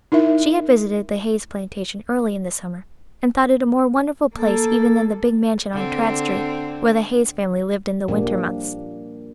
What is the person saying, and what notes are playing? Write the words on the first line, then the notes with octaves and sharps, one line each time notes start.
She had visited the Hayes plantation early in the summer, and thought it a more wonderful place even than the big mansion on Tradd Street where the Hayes family lived in the winter months.
D#4 E4 A#4 E5
A#3 A4
D3 C4
A#2 F3 G3 A#3 D4 G4